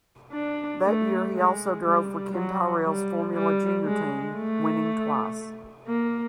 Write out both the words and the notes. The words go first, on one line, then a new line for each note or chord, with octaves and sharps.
That year he also drove for Ken Tyrrell's Formula Junior team, winning twice.
D4
A3
G#3
G3
F#3
G3
G3
G#3
A3
A#3